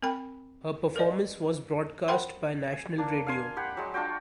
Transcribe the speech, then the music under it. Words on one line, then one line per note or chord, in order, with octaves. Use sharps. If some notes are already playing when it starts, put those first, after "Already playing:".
Her performance was broadcast by national radio.
C4 A#4 G5 B5
A#4 B4 D5 D#5
A#4 C5 F#5 G5 B5 C6
G#5
A#3 D4
F5 G#5 C6
G4 F#5 B5
F#3 G#3
D4 F4 F#4 G5